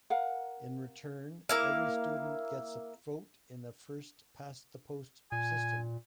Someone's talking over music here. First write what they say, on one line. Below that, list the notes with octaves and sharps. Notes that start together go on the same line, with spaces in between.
In return every student gets a vote in a first past the post system.
A#4 F5 F#5
A#3 E4 F5
A#2 G#5